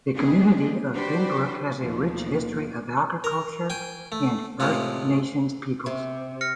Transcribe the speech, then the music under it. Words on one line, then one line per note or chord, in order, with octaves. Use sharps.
The community of Binbrook has a rich history of agriculture and First Nations peoples.
G#3 A#3 C4 D4 G4 G#4
D4 F#4 G4 B4 C5 D5
D#2 B2 F3 A3 D4
A#4
G5 G#5
A3
A2 C3 G#3 F4
C3
F6 A#6 C#7